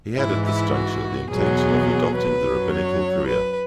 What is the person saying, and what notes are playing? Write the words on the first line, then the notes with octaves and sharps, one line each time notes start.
He had at this juncture the intention of adopting the rabbinical career.
G#2 E3 E4
E4
F#4
E2 B2 F#3 G#4
B4
F#2 F#3
C#5
B4